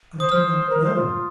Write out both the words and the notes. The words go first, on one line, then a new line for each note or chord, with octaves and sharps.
"I do not know."
C5 D#6
C5 F6
A#4
C5
F4